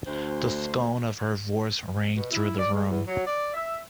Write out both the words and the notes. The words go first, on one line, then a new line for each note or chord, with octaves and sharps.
The scorn of her voice rang through the room.
D2 C5
B2
E4
D5
G#3
E2
F#3
D5
E5